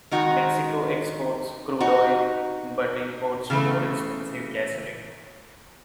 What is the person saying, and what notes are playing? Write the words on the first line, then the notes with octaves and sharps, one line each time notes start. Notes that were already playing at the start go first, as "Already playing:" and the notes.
Mexico exports crude oil, but imports more expensive gasoline.
D#3 G#3 D#4 F#4
D#4 F#4
C#3 E3 A3